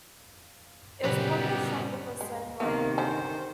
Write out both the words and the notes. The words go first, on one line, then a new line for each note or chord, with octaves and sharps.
It was published under the Sony label.
F#2 A#2 C#3 G3 B3 G4 B4
G#3
C3 D#3 A#3 B3
D3 C#4 C5